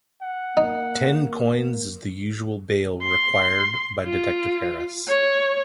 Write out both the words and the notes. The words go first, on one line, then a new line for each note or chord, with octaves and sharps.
Ten coins is the usual bail required by Detective Harris.
F#5
A#3 D#4
C6
F4
C#5